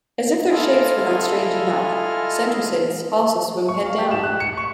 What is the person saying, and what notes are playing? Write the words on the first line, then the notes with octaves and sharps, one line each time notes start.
As if their shapes were not strange enough, centriscids also swim head down.
E4 F4 A4 D#5 G#5 F6
C#6
F5
G4
E7
F#6
C#7
C#6